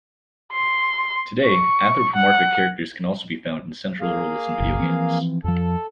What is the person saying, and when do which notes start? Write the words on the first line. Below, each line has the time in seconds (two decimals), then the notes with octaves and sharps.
Today, anthropomorphic characters can also be found in central roles in video games.
0.53 C6
1.46 C#6
2.15 F#5
4.01 A#3 G#4 F5
4.60 F#1 B1
4.80 E3 F3 C4
5.44 F2 F3 A4